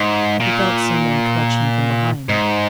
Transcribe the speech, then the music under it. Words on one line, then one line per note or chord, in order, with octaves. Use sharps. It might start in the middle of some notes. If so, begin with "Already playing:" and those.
He felt some one clutch him from behind.
Already playing: G#2
A#2
G#2